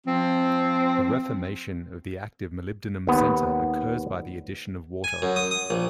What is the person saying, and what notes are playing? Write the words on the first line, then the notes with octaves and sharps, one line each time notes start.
The reformation of the active molybdenum center occurs by the addition of water.
F3 C4
D#2 B3
G#5
F#2
D#6
D#6
A#1